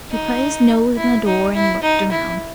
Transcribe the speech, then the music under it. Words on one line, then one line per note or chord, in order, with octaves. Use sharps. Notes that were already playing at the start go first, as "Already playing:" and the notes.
He put his nose in the door and looked around.
D#4
E4
D#4
E4
D#4
E4